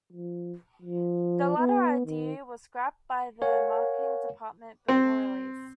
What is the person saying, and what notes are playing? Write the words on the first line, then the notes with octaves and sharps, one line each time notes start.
The latter idea was scrapped by the marketing department before release.
F3
F3
B3
D#3
A#4 C#5 F5 F#5 G#5
C4